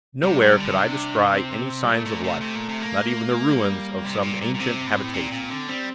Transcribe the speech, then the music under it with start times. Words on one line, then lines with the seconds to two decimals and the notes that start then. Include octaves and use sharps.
Nowhere could I descry any signs of life; not even the ruins of some ancient habitation.
0.23 C3 G3
0.41 C3
0.60 D3
0.78 C3 D4
1.33 C4
1.83 G3
1.87 A#2 A3
2.06 A#2
2.24 C3
2.41 C3
2.55 A#2
2.69 C3
2.82 A#3
3.51 G3
4.05 C3
4.18 A2
4.23 A#2
4.42 A#2
4.55 A#2
4.59 C3 C4
4.87 A2
5.13 A#2
5.32 A#2
5.50 D3
5.68 G3 C4